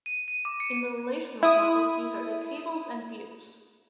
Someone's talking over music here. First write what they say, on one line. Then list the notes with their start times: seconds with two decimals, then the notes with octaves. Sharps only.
In the relational model these are the tables and views.
0.06 D#7
0.28 D#7
0.45 D6
0.60 C#7
1.43 E4 D#6 D#7